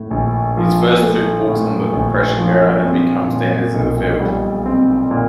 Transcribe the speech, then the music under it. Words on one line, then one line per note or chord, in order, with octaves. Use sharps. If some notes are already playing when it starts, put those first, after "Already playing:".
His first two books on the Depression era have become standards in the field.
Already playing: A2
A#1
F3
A3
A2
A#1
F3
C4
A#2
B1
G3
C4
A#2